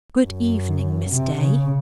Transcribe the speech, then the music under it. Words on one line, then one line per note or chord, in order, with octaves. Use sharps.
"Good-evening, Miss Day."
F#2
C3
C#3